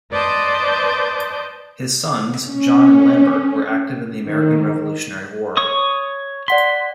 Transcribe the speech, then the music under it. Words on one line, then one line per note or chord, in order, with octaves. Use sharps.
His sons, John and Lambert were active in the American Revolutionary War.
B4 C5 D5 D#5 A5 G6
C#4
D#3
C#5 C#6 D#6
D5 F#5 C6 B6